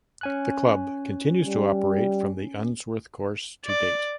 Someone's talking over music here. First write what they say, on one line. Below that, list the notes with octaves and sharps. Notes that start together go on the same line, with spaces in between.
The club continues to operate from the Unsworth course to date.
C#4 G#5 F#6
G3
D5